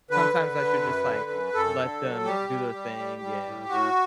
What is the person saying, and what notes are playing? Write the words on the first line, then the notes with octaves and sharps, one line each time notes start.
sometimes I should just, like, let them do their thing, and,
D3 B4
D3
D3
F#2
D3
F#2
F#2 A4
D3
F#3
G3 G4
G3
G3
G3
G3
A2
A2 F#4